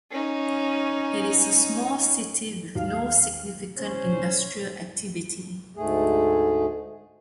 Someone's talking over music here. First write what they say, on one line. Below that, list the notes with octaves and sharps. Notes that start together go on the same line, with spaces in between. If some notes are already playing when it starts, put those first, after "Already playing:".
It is a small city with no significant industrial activity.
C#4 D#4
D#2 F5
C#4 C5
D2 G#2 A3 G#4